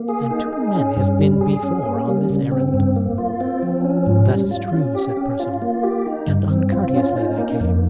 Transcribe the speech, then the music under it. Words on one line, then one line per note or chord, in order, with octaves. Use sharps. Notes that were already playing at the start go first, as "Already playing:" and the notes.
And two men have been before on this errand." "That is true," said Perceval; "and uncourteously they came.
Already playing: A#3
G#4
D#4
G#4
C#4
G2
G3
G#4
C#4
A#3
G3
C#3
C4
G2
A#3
F4
C4
F3
C#4
G#2
G3
F4
C#4
G4
C#4
F4
A#3
G4
D#4
G2
C4
F4
C#4
D#4
A#3
F2